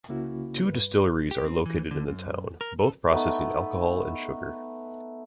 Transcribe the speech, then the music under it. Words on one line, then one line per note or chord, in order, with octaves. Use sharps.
Two destillaries are located in the town, both processing alcohol and sugar.
C2 C#3 A#3 C#4 E4 F#4
G2 B4
G4
C4
E3
D3
F#2
A#4
A4
A3 B3 D#4 B4